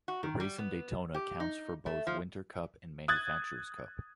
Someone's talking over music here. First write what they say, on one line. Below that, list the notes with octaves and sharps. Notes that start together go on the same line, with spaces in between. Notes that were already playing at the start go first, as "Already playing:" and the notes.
The race in Daytona counts for both Winter Cup and Manufactures Cup.
F#4
D#3
G3
B3
G4
D#4
A3
F3
D#6 F#6 G#6 A6